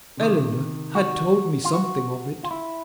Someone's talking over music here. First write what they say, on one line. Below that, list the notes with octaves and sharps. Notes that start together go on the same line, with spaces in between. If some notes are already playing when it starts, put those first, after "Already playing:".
"Eleanor had told me something of it."
C3 D#3
F#4
F4
F#4
F4
E4